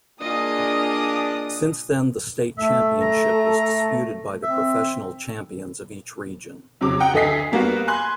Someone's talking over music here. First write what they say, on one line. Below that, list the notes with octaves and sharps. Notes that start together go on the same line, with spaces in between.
Since then the state championship was disputed by the professional champions of each region.
A#3 D4 F4 G#4 D#5 D#6
A3 A4 E5
A#5
C4 E5
F2 C#3 F#3 D6
F#5 G5 A#5 D#6
D2 A4 D#5 G#5 B6 C7
G3 A#3 B3 F#4
G#5 B5 C6 F#6